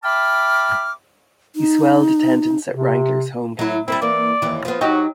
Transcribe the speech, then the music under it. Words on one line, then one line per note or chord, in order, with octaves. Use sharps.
He swelled attendance at Wranglers home games.
E5 G5 A5 B5 D6 F6
D#4
C3
F#3 E4
G3 A#3 C4 E4
E3 A#3 D5
D#2 E3
F3 B3
F#3 D#4 F#4 G4